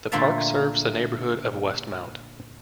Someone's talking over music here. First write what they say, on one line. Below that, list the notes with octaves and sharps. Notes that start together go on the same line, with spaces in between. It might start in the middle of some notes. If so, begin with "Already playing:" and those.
The park serves the neighbourhood of Westmount.
A#2 D3 A3 A#3 E5 A5